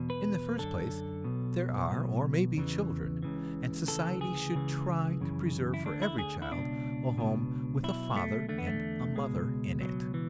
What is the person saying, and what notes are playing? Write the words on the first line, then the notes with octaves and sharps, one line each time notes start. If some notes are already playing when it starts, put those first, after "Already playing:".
In the first place, there are or may be children, and society should try to preserve for every child a home with a father and a mother in it.
Already playing: E2 B2
B4
F#2 D3 A4
B1 B2
B1 B2
E2 C#3 E3
C#2 C#3 E3
D2 C#3 E3 A4
G#4
C#2 C#3 E3
F#2 C#3 E3
E4
D2 D3 D4
E4
G#4
E4
C#2 B2 D4
C#2 B2
B1 B2 E4
A3
E2 D3 A3
B3
A3
C#2 B2 G#3
C#2 B2 F#3
E3